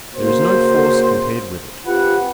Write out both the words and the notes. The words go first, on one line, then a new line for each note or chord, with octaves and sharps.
There is no force compared with it.
C#3 A#3 F#4 C5
C4 F4 G4 B4 F#5